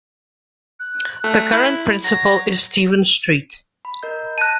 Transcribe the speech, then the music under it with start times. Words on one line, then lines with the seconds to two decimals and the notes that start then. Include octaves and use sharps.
The current principal is Steven Street.
0.80 F#6
1.24 A3
1.52 E4
2.04 F#3 A#6
3.85 B5
4.03 A#4 D#5 G6
4.38 A5 F#6 A#6 D#7